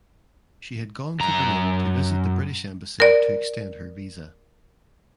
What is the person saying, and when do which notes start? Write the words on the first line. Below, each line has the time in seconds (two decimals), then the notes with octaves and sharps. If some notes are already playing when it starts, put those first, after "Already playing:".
She had gone to Berlin to visit the British embassy to extend her visa.
1.20 F#2 A#5
3.00 A#4 D5